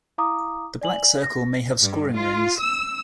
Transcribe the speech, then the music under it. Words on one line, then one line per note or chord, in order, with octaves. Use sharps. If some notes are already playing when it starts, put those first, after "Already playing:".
The black circle may have scoring rings.
E4 F5 A#5 D6 D#6
D5 G#5 F#7
A#6
G2
F4
E6